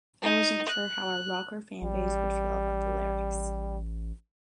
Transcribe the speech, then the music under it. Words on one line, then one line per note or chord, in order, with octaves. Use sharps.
I wasn't sure how our rocker fanbase would feel about the lyrics.
D#4
F#6
A1 G3